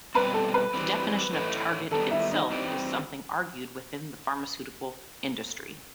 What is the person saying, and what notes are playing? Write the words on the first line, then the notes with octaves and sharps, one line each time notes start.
The definition of "target" itself is something argued within the pharmaceutical industry.
B2 G3 C4 B4
A4
B4
E3 G3 C4
A2 E3 A3 D#4
D#3 G3 B3 A4
E4
D#4
G2 E3 G3 C4